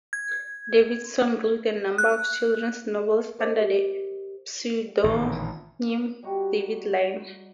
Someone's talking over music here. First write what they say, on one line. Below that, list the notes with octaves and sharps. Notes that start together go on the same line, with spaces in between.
Davidson wrote a number of children's novels under the pseudonym David Line.
G#6
F#6
A#4 C5 D#5 D6 G#6
G4
A1 A#2 D3 D#3
G3 D#4 F#4